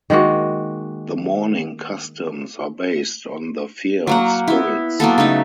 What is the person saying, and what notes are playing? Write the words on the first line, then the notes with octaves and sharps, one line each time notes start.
The mourning customs are based on the fear of spirits.
D#3 G#3 A#3 F#4
F#3 A#3 F#5
B3 E4
F#3 A#3 B3 A4
C#3 A3 D#4 E5